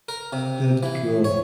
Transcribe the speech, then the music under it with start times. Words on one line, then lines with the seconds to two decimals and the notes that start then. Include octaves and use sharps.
That's cool.
0.09 A#4
0.33 C3
0.83 E3
1.24 C#5